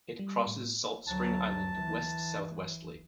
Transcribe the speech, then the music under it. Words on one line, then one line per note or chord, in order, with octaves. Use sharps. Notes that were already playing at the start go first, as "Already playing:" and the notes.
It crosses Salt Spring Island westsouthwestly.
G3
A2
D2 F#3 A5
E3